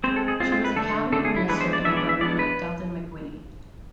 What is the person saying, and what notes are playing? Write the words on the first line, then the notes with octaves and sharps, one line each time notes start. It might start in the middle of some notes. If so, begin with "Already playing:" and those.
She was a cabinet minister in the government of Dalton McGuinty.
G#3 C4 C5
A4
G#4
G#3 C4 F4
F4
B4
D3 A3 D4 A4
A4
D3 A3 D4 A4
G#4
E4
E3 G#3 B3 D4 B4
C5
D5
E3 G#3 B3 D4 E5
D5
E5
G#3 B3 D4 D5
B4